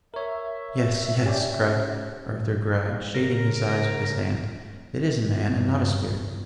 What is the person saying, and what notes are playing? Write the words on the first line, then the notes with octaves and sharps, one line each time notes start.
'Yes, yes,' cried Arthur Gride, shading his eyes with his hand, 'it is a man, and not a spirit.
A#4 C#5 E5
C#4 G4 C#5 D5
C#3 A#4
E2 G2